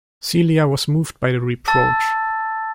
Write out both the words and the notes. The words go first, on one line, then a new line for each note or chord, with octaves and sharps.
Celia was moved by the reproach.
A5 E6 A6